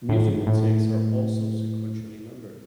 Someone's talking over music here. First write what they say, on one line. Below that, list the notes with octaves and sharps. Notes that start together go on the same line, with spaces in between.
Musical takes are also sequentially numbered.
A2
G#2
A2